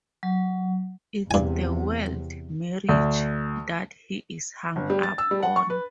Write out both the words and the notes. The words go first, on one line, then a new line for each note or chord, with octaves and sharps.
It's the word 'marriage' that he is hung up on.
F#3
E2 G2 C3 G#5
D2
G1
G3
A6
E6
G3
F#5
C#6
B4